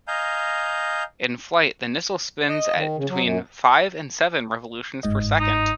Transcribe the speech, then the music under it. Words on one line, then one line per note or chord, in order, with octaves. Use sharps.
In flight, the missile spins at between five and seven revolutions per second.
D#5 F5 G#5 A#5 G6
D#5
D#3
C#3
F#3
F#2
G1 G#2 D#5
D#4